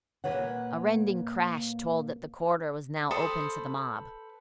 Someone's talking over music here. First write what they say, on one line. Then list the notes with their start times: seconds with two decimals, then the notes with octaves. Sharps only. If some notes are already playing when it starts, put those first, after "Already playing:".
A rending crash told that the corridor was now open to the mob.
0.24 A#2 F3 A#3 B4 C#5 F#5
3.11 A4 B4 C5 D#6